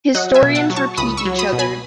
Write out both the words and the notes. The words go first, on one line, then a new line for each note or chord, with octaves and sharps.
Historians repeat each other.
F#3 D#5 F#5
E5 G#5
B2
F#5 A5
F#3
A5 C#6
C#2 B5 D#6
C#6 E6
F#3
B5 D#6
B2
G#5 B5